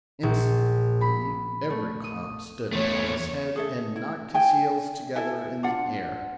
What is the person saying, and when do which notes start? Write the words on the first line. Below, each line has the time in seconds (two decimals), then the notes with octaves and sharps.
Instantly every Clown stood upon his head and knocked his heels together in the air.
0.23 A#1
1.01 B5
1.70 A3
2.04 D#6
2.73 E2 A3 A#3 C#5
3.56 G#4 A4 E5
3.96 E4
4.34 E5 G5 G#5
5.16 E4 A4 E5 G#5
5.63 D4 F4 F#5